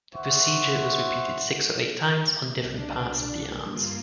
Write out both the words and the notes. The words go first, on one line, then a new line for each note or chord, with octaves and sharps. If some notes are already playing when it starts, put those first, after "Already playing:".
The procedure was repeated six or eight times, on different parts of the arms.
C5 E5 F#5 C#6
C2 D4
G2 A#3 F4